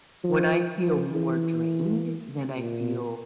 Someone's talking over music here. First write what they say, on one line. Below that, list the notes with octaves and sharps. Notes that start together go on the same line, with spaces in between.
When I feel more drained than I feel
F3
F3
E3
A#2